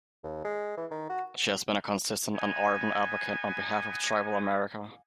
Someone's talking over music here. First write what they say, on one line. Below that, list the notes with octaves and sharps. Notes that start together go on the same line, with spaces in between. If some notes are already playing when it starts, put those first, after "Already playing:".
She has been a consistent and ardent advocate on behalf of Tribal America.
D#2
G#3
E3
D#3
F#4
B3 D#4 G#5